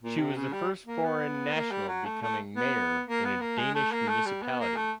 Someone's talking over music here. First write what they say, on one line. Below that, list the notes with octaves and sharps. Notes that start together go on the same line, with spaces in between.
She was the first foreign national becoming mayor in a Danish municipality.
A#2
C3
C#3
G3
A#3
B3
A#3
G3
F#3
A3
A3
B3
A#3
B3
A#3
G#3
A3
A#3
A3
G3
B3
A#3
A3